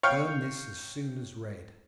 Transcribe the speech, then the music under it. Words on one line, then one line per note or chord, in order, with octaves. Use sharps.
Burn this as soon as read.
C#5 F5 G5